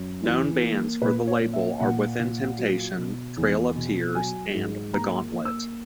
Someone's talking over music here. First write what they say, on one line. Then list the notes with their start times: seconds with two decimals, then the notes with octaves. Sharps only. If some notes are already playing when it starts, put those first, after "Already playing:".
Known bands for the label are Within Temptation, Trail Of Tears and The Gauntlet.
Already playing: F#2
0.23 E3
0.62 A#3
1.01 A#2 B4
1.27 C#5
1.40 A#3
1.53 E5
1.80 A#2 F#5
2.20 A#2
2.58 F#3
2.98 B2
3.37 E2
3.75 B2
4.15 F#3 G#5
4.54 G#2
4.93 A#3 A#5
5.32 A#3
5.45 E6